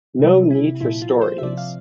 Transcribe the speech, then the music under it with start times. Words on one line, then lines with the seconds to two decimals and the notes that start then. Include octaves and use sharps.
No need for stories.
0.19 C3 G3
0.50 E4
0.80 A#2 F3 E4
1.02 F4
1.21 C5
1.38 E5
1.42 C3 F3 D5
1.57 F5